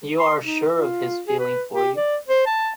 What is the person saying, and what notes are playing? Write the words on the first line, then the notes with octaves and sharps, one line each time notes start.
You are sure of his feeling for you?
C6
D#4
F4
G#4
B4
G4
D5
C5
A5